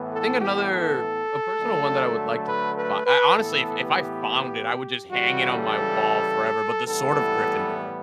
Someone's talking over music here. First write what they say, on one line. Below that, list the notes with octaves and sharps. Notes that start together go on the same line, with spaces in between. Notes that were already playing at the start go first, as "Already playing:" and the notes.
I think another A personal one that I would like to bu I honestly, if if I found it, I would just hang it on my wall forever, but the sword of Gryffindor,
Already playing: A2 E3 B3
A4
G4
A4
D3 F#3 A3
B4
B4
B4
A2 E3 B3 A4
G4
C#3 E3 G3 F#4
A4
A2 E3 G3 B3 A4